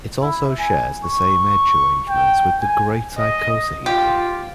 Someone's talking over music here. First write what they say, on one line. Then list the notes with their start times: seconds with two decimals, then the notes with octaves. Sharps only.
It also shares the same edge arrangement with the great icosahedron.
0.22 E4
0.59 G#5
1.04 C#6
2.09 G5
2.60 G#5
3.19 D#5
3.86 F4 G4